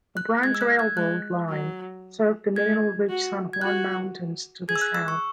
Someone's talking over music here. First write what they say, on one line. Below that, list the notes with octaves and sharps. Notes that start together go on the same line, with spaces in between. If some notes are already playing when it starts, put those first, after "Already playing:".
A branch railroad line served the mineral-rich San Juan Mountains to the south.
F#6
G#3 G#6
E6
F#6
G#6
G#3 F#6
F#3
G#3 G#6
F#4
G#6
F#4 F#6
G#4 G#6
E6
F#6
E6
C#6